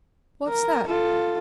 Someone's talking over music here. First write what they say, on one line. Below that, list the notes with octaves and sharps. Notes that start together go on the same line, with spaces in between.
What's that?...
A#4
F4 A4